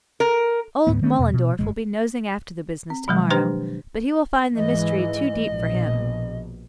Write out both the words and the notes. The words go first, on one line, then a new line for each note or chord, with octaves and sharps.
Old Moellendorff will be nosing after the business tomorrow, but he will find the mystery too deep for him.
A#4
D2 G#2 G3 B3
D#3 A3 C4 C#4
E2 B2
B2
G1 E2 G#3
C4
B2 D#3 F3 F#3 G#3
D4 G4 B4 C5 G5 A#5
G#2 E3 G#3 D#5
A#1 B2